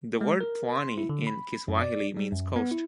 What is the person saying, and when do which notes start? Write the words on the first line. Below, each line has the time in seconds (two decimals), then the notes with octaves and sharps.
The word "pwani" in Kiswahili means "coast".
0.21 G#3
0.41 A#4
0.77 C6
0.98 E4
1.09 D3
1.27 B5
1.68 F#2
1.82 D5
2.17 G3
2.32 F#2
2.56 B3
2.71 E4